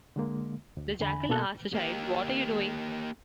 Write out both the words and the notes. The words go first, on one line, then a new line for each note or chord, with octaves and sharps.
The jackal asked the child: What are you doing?
D3 G#3 A#3
D2
E2 D3 G#5 B5
B2 A#3 B3 A4 A5 F#6
A#3 G4